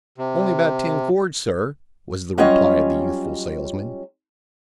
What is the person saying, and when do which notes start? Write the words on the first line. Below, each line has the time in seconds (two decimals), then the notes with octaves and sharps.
"Only about ten cords, sir," was the reply of the youthful salesman.
0.18 C3
2.38 F#3 G3 C#4 F4 C#5 D#5